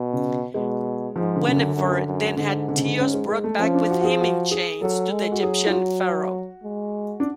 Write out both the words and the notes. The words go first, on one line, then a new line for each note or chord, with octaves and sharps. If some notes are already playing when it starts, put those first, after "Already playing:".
Wennefer then had Teos brought back with him in chains to the Egyptian pharaoh.
Already playing: B2
C#3
B2 G#3
G#2 F3
D3
F#2 C#3
D3
F#2
F#2
G#2 D3
D3
C#3
D3
C#4
G#3
G#3
A3
F3 C#4
D4
F#4
F#4
G#4
F#4
G#4
F#3 A4
G#3
F#4
F#3 G#4
F4
F#4
G#3
D4